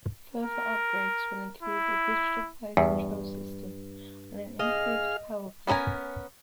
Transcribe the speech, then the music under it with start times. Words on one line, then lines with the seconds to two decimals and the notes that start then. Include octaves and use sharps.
Future upgrades will include a digital fire control system and improved power pack.
0.43 A#4
1.63 E4
2.77 E2 G2
4.59 G#4 D#5 F5 F6
5.67 B3 C#4 A4 A#4 G#5